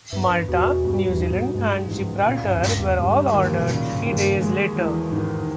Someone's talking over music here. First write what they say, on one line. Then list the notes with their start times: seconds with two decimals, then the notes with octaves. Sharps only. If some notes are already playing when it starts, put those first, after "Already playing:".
"Malta", "New Zealand" and "Gibraltar" were all ordered three days later.
0.12 G2 B3
0.31 G2
0.48 E2 B2
0.66 E2
0.84 G2 G3
1.08 E2
1.19 D#4
1.31 G#2
1.55 G2 G#3
1.90 C#2 G#2
2.26 A#2 C#3
2.44 G2
2.56 E2
2.62 C#2 G2
2.80 E2
2.98 G2 G3
3.33 D#2
3.60 B2
3.69 A#2 C#3
3.93 G#2
4.05 D#2
4.16 G2
4.41 G#3
4.76 E2
5.12 G#2 D#3